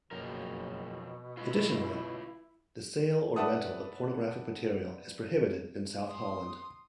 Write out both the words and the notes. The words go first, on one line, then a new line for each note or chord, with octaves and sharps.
Additionally, the sale or rental of pornographic material is prohibited in South Holland.
F#1 F2 B2 A#4
A1 E4 F4 B4
B4 D5 E5 F#5 A5 D#6
C6 D#6